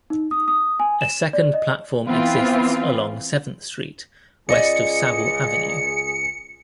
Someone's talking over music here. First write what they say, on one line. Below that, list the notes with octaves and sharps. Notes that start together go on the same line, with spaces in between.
A second platform exists along Seventh Street west of Saville Avenue.
D#4
D#6
D#6
G#5
E7
D5
D#5
E3 B3 C4 F4
C#2 G#4 D5 D#5 C#7